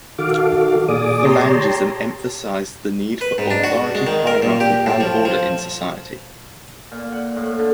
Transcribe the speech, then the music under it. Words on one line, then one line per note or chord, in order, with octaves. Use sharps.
Falangism emphasized the need for authority, hierarchy, and order in society.
D#3 F#4 A4 F5 D6
A#2 G#4 D5 D6 D#6
G4 C#5 A5 A#5 C6
B4
G#2
D4
F#4
G#3
D#3
A#4
A#2
G4
A2
F3
F3
A#2
F#5
A2
D3